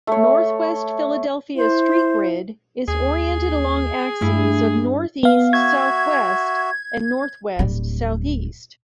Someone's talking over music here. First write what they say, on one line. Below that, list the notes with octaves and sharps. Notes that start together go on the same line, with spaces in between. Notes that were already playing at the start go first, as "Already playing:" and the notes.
Northwest Philadelphia's street grid is oriented along axes of northeast-southwest and northwest-southeast.
A3 C#5
E4 C5
D#2 G#4
G2 A3 E4
B3 F5
F#4 E5 G#6
D1 G3